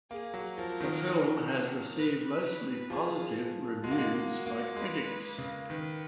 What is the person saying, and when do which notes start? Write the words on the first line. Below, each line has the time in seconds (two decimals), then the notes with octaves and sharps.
The film has received mostly positive reviews by critics.
0.10 A#3 G#4
0.34 F#3
0.57 F3 A#4
0.80 D#3
1.97 B4
2.44 B4
2.90 F3 G#4
3.83 G#3 F#4
3.91 A#3
3.98 G#3
4.14 A#3
4.30 F#4
4.46 A#3
4.76 G#3 B4
5.38 C#3
5.69 D#3 B4